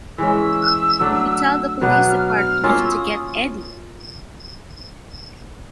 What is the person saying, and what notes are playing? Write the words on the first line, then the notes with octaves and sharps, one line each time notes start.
You tell the police department to get Eddie.
E3 G#3 C#4 E6
F#3 A3 D4
B2 F#3 B3 D4 F#6
F6
F6
A#3 C#4 F4 E6
D#6